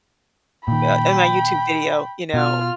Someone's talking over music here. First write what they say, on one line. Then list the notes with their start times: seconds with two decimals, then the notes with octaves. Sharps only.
uh, in my YouTube video, you know?
0.68 A#2 D#3 G5 B5
2.34 B2 F4 F6